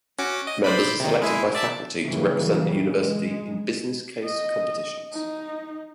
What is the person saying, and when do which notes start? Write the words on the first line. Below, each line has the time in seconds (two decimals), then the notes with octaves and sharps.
Members are selected by faculty to represent the university in business case competitions.
0.19 C#4 F#4 D6
0.47 D#5
0.64 C5 D5 B5
1.00 C3 D#3
1.22 G#3 E4 G#4
1.55 D5 E5 A5
2.07 A#2 C#3 E3 F#3 G3 A#3
2.84 G#3
4.24 D#5
5.13 D#4